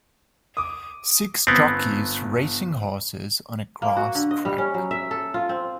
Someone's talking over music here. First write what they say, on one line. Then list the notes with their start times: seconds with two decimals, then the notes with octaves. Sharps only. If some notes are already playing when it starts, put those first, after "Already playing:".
Six jockeys racing horses on a grass track.
0.57 D6 D#6
1.47 G1 B3 C4
3.82 A#3
3.97 F#4
4.15 D3
4.31 D#5
4.45 G3
4.58 C#4
4.74 F#3
4.91 E5
5.11 A4
5.34 F4
5.49 C4